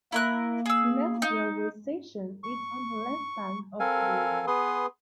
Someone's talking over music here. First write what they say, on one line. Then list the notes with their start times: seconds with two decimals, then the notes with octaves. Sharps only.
Dinant's railway station is on the left bank of the river.
0.12 A#3 E4 A#4 F#6
0.66 G#4 E6
1.22 D#4
2.43 C#6
3.80 C4 A4 A#4 F5 G#5
4.47 B3 G#4 B4 C6 D#6